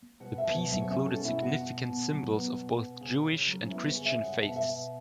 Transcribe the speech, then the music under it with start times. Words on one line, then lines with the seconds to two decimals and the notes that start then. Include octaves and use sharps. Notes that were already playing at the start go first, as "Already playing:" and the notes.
The piece included significant symbols of both Jewish and Christian faiths.
0.20 B2 F#5
0.38 E5
0.44 B2
0.55 C#5
0.66 F#3
0.72 E5
0.82 C#5
0.90 C#4 E5
1.08 A4
1.13 B2
1.25 E4
1.37 B2
1.42 F#4
1.60 B2
1.84 B2
2.07 F#3
2.31 B3
2.53 B2
2.76 B2
3.00 C#3
3.24 C#3
3.47 F#3
3.64 C#4
3.70 B3 E4
3.87 C#5
3.94 C#3
4.05 E5
4.17 C#3
4.23 F#5
4.41 B2 E5
4.48 F#5
4.56 E5
4.65 B2